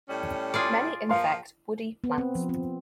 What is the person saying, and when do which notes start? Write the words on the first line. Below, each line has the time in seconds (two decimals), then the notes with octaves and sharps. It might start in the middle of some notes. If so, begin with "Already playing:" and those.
Many infect woody plants.
0.09 A2 G3 C#4
0.54 F4 G#4 D5
1.09 F3 A#3 F5 C6
2.04 B3
2.18 C4
2.35 F3
2.49 C4